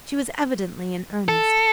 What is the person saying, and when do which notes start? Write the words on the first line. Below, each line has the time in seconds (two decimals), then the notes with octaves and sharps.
She was evidently in earnest.
1.28 A4